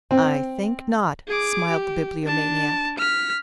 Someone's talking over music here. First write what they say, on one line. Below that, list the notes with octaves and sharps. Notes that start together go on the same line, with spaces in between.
"I think not," smiled the Bibliomaniac.
C4
G#4 D6
G4
D4 A5
F6 B6